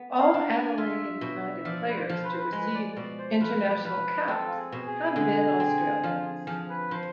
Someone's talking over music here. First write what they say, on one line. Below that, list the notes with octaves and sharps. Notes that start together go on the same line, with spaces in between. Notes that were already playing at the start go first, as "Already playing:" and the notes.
All Adelaide United players to receive international caps have been Australians.
Already playing: B3
F5
D4
G#5
D5
F4 E5
B2
F3 D5
B4
C5
F3
B4
C5
B4
G#3 B4
D5
B2 D5
C5
F3 B4
F3 B4
C4 A4
F4
G#4
B2
G#4
D3
C4
F3 F4
G#4
F3 G#4
B4
F3 C5